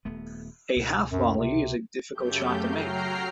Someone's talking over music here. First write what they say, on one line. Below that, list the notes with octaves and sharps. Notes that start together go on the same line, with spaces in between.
A half volley is a difficult shot to make.
D#1 A3 B3
C#2 B2
F#2
C3
F#2 C#3 A3 G4 G6
F#3 G5 A#5 F6 C7